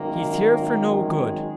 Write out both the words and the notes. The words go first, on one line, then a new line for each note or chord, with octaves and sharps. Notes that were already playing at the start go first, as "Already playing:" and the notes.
He's here for no good.
Already playing: G#1 F#2 D#3 A#3
G#3